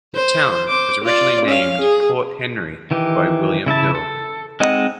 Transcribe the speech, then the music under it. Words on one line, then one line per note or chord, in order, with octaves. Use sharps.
The town was originally named "Port Henry" by William Hill.
C5
C5 D6
F4 D5
C#4 F5
G#4
D#3 E3 G4
C#3 E4 E5 A5
A4
G#3 C4 D#4 D#5 F#5